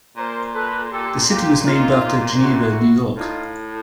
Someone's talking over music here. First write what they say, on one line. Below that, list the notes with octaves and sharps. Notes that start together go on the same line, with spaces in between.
The city was named after Geneva, New York.
A#2 A#4 C5
A4 B4
G4 A4
F4 G4
D#4 F4
E4 F#4
A2 D#4 F4